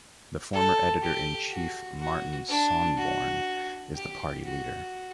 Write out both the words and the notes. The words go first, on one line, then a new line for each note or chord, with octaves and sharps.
The former editor-in-chief Martin Sonneborn is the party leader.
A4
G4
F#4
F#4
D4
F#4
G4
F#4